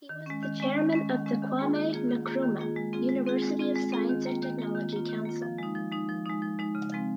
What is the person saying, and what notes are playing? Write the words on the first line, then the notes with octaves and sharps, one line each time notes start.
He was the Chairman of the Kwame Nkrumah University of Science and Technology Council.
D#3
G#3 C#4
D#3
G#3 C#4
D#3
G#3 C#4
D#3
G#3 C#4
D#3
A#3 F4 G#4
D#3
A#3 F4 G#4
D#3
A#3 F4 G#4
D#3
A#3 F4 G#4
G#3
C4 F4 G#4
G#3
C4 F4 G#4
G#3
C4 F4 G#4
G#3
C4 F4 G#4
D#3
A#3 F4
D#3
A#3 F4
D#3
A#3 F4
D#3
A#3 F4
F3
G#3 D#4
F3
G#3 D#4
F3
G#3 D#4
F3
G#3 D#4
C#3
F3 G#3 C4